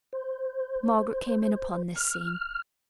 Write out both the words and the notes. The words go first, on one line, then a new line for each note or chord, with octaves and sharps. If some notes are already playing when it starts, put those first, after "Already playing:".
Margaret came in upon this scene.
C5
F6